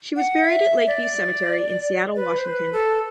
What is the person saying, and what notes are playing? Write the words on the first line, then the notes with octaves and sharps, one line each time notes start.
She was buried at Lake View Cemetery in Seattle, Washington.
F#5
E5
D5
B4
C5
B4
A4